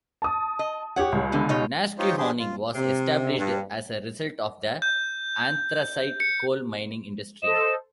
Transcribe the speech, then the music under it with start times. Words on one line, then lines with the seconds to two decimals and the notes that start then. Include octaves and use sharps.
Nesquehoning was established as a result of the anthracite coal mining industry.
0.22 A5 D#6
0.59 D#5
0.96 F#4 G4 C#5 F#5
1.12 C#2 G3
1.32 D3 E3 B3
1.49 B2 D#4 C#5
1.99 D#4 F4 G4 C5 C#5
2.17 D4 G4 G#4 C5
2.39 F4
2.75 C3
3.37 G2
4.82 G6
6.20 C#7
7.42 A4 C5 D#5 E7